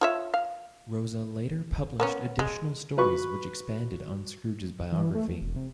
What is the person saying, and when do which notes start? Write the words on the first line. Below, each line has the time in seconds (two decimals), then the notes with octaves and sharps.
Rosa later published additional stories which expanded on Scrooge's biography.
0.01 F4 C#5 E5
0.34 F5
2.00 A#3 B3 C#4
2.39 G#3
2.97 F#3 B4 C#6
4.92 E3
5.15 A3
5.28 E2
5.41 E1
5.56 C3